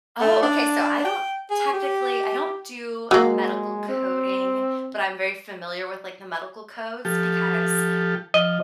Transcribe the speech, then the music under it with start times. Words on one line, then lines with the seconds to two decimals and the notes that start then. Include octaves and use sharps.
Oh, okay so, I don't technically, I don't do medical coding, but I'm very familiar with, like, the medical codes because
0.21 A3
0.43 D4
1.05 G5
1.51 G#4
1.74 G4
3.11 F#3 G#3 A#3
3.89 C4
7.05 F3 G4 A4
8.34 F3 D#5